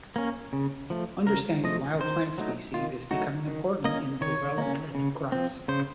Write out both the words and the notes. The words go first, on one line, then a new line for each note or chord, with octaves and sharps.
Understanding wild plant species is becoming important in the development of new crops.
A#3 C#4
C#3
F3 A3
C#3 A#4
F3 A3 D#5
D#3 C5
F#3 A3 D#4
D#3 F4
F#3 A3 D#4 F#4
D#3
A#3 C#4 D#5
D#3 C#5
A#3 C#4
C#3
F3 C4
C#3 C5